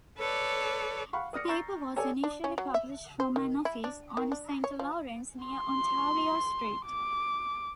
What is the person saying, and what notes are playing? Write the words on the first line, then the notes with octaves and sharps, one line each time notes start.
The paper was initially published from an office on Saint Lawrence near Ontario Street.
A4 B4 C#5 D5
F5 F#5 B5 C#6
D5 D#6 F6 A#6 C#7
A#5 C#6 E6 G6 A6 C7
G4 A4 C#5 D5 G#5
D4
C#4
F#3
E5
C5
D#3
E4
D4
D#3
D4
C#5
F3
C6
D6